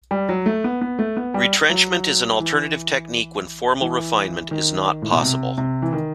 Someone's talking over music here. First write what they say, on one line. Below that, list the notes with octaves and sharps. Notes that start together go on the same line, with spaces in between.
Retrenchment is an alternative technique when formal refinement is not possible.
G3
F#3
A3
B3
B3
A3
B3
G3
F#3
E3
E3
D#3
A2
B2
C3
C3
E3
D#3